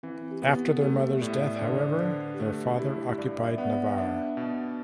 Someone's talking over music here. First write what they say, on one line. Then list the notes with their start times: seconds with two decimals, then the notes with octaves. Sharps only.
After their mother's death, however, their father occupied Navarre.
0.03 E3 C4
0.31 G4
0.42 B3 F#4
0.75 A4
0.81 A3 G4
1.13 E5
1.21 A2 D5
1.56 D5
1.61 D3 C5
2.00 D3 B4
2.34 G4
2.39 A3 F#4
2.73 F#4
2.79 E4 G4
3.18 G2 D5
3.38 E5
3.58 B3 F#5
3.78 F#5
3.98 D4 E5
4.37 B2